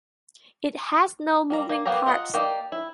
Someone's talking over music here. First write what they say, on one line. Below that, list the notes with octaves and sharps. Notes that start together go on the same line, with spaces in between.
It has no moving parts.
G3 A#3 A#5
A#3
A#3 B3 G4 F5 A#5
F4 A#4 D#5 F#5
A#3 G4 D5 D#5
E4